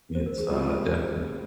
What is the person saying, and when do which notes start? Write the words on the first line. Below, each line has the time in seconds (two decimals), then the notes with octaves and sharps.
it's, uh, definite
0.15 C5
0.26 A#4
0.38 G#4
0.50 C#2 C#3 F3 C4 G4